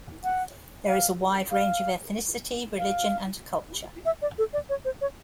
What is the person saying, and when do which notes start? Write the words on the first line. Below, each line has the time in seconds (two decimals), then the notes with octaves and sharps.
There is a wide range of ethnicity, religion, and culture.
0.24 F#5
0.88 F5
1.51 F5
2.78 F5
4.06 E5
4.22 D5
4.38 A4
4.53 D5
4.69 C#5
4.85 C5
5.01 C#5